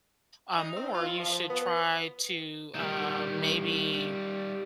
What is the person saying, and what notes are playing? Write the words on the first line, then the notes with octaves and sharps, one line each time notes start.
uh, more, you should try to, um, maybe
D#4
C4
F4
F3
B3
D#3 G3